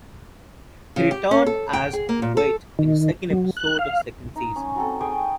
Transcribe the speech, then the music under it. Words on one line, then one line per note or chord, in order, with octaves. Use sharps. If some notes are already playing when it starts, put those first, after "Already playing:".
He returned as Wade in the second episode of the second season.
C#3
G4
C#4
A4
G5
G#4
A#3
A#2
A4
D#3
F#3
F#6
F5
D#4
C#4
F#3 C4 A4
G#4 G5 C#6 D#6